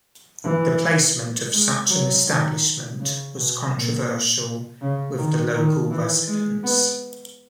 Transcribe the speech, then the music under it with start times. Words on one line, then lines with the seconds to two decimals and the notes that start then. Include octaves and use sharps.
The placement of such an establishment was controversial with the local residents.
0.44 E3
1.53 G#3
1.89 F#3
2.26 D#3
3.00 C#3
3.36 B2
3.72 A#2
4.82 C#3
5.18 D#3
5.55 D#3
5.91 E3
6.27 G#3
6.64 B3